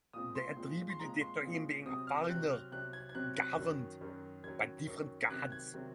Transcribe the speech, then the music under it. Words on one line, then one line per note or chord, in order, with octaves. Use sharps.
They attributed it to him being a foreigner governed by different gods.
A#2 F3 G#3 C4 D#6
C6
A#2 F3 G#3 C4
C6
A#2 F3 G#3 C4 A#5
C6
A#2 F3 G#3 C4
C3 F#3 C4 D#6
F6
C3 F#3 C4 F#6
F6
C3 F#3 C4 F#6
G#6
G#6
C3 F#3 C4 F#6
F#6
F#2 D#3 F#3
F#2 D#3 F#3
F#2 D#3 F#3 G#6
F#2 D#3 F#3
G#6
C3 D#3 F#3 C4 F#6
G#6
C3 D#3 F#3 C4